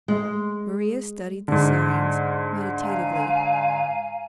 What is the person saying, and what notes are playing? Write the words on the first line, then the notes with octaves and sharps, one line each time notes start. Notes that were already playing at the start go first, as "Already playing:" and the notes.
Maria studied the signs meditatively.
G#3
G#2 D3
F5 G#5 A#5